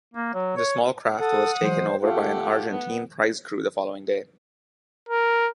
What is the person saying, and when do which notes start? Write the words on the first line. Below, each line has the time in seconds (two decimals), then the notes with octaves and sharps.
The small craft was taken over by an Argentine prize crew the following day.
0.14 A#3
0.34 F#3
0.57 C#5
1.19 A4 F#5 D#6
1.61 E3 F#3 G#3 C5
2.02 A3 F4 G4 F5 F#5
2.70 B3
5.09 A#4